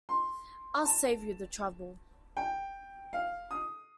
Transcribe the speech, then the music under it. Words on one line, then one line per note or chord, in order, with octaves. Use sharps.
I'll save you the trouble.
C6
A5
G5
F5
D#6